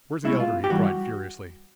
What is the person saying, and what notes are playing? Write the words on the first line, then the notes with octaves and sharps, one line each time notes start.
"Where's the Elder?" he cried furiously.
C2 B2 G#3 E4
F4
G4
G2 E3 G3 F#4